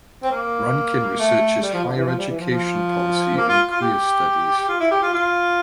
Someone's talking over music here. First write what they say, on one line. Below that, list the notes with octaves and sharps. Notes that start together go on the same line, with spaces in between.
Rankin researches higher education policy and queer studies.
C4
A#3
A3
G3
F3
D3
E3
F3
G3
E3
F3
F3
A#3
F4
F4
G4
F4
E4
G4
F4
F4